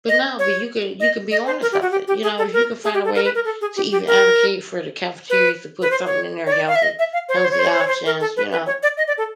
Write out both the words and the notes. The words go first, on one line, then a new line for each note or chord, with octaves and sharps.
But no, but you can you can be on to something. You know, if you can find a way to even advocate for the cafeterias to put something in there healthy, healthy options, you know,
D#5
C#5
D#5
D#5
C5
A#4
G4
F#4
G4
G4
G#4
A4
A#4
G#4
G4
A4
A#4
B4
A#4
A4
G#4
G4
G4
A#4
B4
B4
C5
C#5
C#5
D5
F5
E5
D#5
E5
F5
C5
C#5
C5
C#5
C5
C#5
C5
C#5
C5
A#4
A4
B4
B4
C#5
D5
D#5
D5
A4